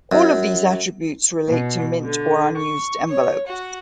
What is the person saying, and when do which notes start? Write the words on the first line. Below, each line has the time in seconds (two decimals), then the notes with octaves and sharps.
All of these attributes relate to mint or unused envelopes.
0.12 F#2
1.48 B2
2.02 D3
2.56 C#6
3.07 C#5
3.47 F#4